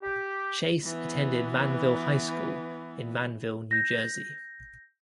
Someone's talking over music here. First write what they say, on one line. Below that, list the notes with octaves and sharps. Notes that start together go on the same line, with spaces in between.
Chase attended Manville High School in Manville, New Jersey.
G4
E3 B3
G6 A#6